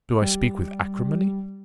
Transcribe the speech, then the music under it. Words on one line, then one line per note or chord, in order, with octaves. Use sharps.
Do I speak with acrimony?
G3